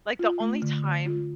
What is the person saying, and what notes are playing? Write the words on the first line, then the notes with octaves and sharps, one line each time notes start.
Like, the only time
F4
A3
D3
D3
F4